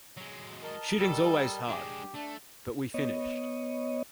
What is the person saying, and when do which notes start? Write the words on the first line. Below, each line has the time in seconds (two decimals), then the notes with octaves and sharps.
Shooting's always hard, but we finished.
0.17 F#3 G#3
0.63 A#4 D#5 A5
0.99 G3 A4
1.68 G#3 D4 G4 G#4
2.14 A3 D4
2.94 B3 C#5 D#5